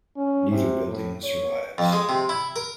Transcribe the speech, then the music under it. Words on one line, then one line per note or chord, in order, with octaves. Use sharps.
Neither building survives.
C#4
C3
A2
C#5
F2
G#3
C3
E4
A#4